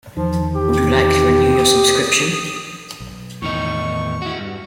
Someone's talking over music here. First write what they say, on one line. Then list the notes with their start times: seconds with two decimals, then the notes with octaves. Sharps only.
Would you like to renew your subscription?
0.17 E2 D#3 F3
0.55 G4
1.55 D#6
3.00 B1
3.42 E2 A2 D#3 D#4 C#6
4.22 E4 F#4
4.39 G2